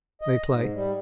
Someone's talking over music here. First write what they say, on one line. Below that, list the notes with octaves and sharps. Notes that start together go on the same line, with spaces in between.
They play.
D#5
G#2
G3